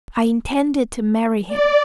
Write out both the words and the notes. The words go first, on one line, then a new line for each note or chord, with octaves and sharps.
I intended to marry him.
D5